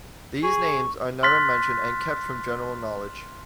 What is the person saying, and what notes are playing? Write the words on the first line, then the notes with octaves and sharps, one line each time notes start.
These names are never mentioned and kept from general knowledge.
G#4 C#6
C6 F6 F#6 A6 B6